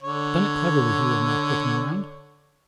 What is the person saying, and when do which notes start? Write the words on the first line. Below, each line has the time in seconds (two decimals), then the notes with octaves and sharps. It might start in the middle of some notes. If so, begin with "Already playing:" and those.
"Done it cleverly," he remarked, looking round.
0.03 D3 C#5